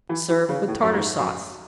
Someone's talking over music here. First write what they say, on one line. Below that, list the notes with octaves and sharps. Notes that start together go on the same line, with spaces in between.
Serve with Tartar Sauce.
E3
E3
C#3
A2
F#2
G#2
F#2